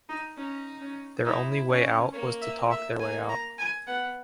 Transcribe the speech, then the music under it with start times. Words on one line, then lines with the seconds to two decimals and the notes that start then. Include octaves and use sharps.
Their only way out was to talk their way out.
0.09 D#4
0.37 C#4 D#4
0.81 C#4
1.25 D#4 E4
1.69 C#4 C#5
2.13 A#3 C#5
2.41 E5
2.71 E5
3.00 A#3 G#5
3.29 A#5
3.58 G#5
3.87 B3 F#5